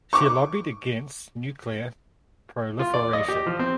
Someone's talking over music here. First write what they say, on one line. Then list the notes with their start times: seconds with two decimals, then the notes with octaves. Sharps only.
She lobbied against nuclear proliferation.
0.13 C#6 D6
2.79 F4
2.94 D5
3.13 D#5
3.28 G4
3.47 F3
3.59 C4